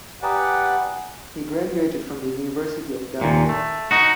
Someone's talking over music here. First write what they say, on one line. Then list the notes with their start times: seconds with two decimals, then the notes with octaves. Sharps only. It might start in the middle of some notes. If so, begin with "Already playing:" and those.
He graduated from the University of Dhaka.
0.23 G4 B4 D5 F#5 G#5 A#5 D#6
3.21 D#2 A#2
3.49 A3
3.91 D#4 F#4